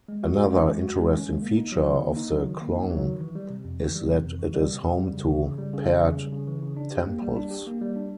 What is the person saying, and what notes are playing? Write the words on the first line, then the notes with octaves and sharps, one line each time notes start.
Another interesting feature of the khlong is that it is home to paired temples.
G#3
F#4
G#3
C#4
G#3
F#4
G#3
C#4
G#3
A#3
D#4
F#3
D#3
A#3
D#4
F#3
D#3
A#3
D#4
F#3
D#3
E3
G3
C3
F2
E3
G3
C3
F2
E3
G3
C3
F2
G3
C#3
E3
C#3
G3
C#3
E3
C#3
G3
C#3
E3
C#3
D4
G4
A#3
G3
D4
G4
A#3
G3
D4